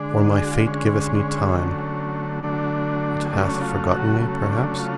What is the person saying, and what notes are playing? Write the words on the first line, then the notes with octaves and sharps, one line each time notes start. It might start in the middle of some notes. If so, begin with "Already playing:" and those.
For my fate giveth me time: it hath forgotten me perhaps?
Already playing: D3 G#3 D4
G#4
F#4
F4
D4
D3 G#3 C#4
D3 F#3 A3
D3 F#3 A3 D4
C#3 F#3 A3 D4
C#4
D4
F4
F#4
C#3 F#3 A3
C#4
D4
F4